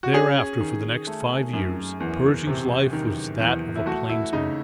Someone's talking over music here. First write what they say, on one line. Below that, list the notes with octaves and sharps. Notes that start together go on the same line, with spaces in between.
Thereafter, for the next five years, Pershing's life was that of a plainsman.
F#4
C#4 G#4
D#3
A3
F#2
E2
C3
D#3
E2
E4
A3 F#4
E4
C#3 D#4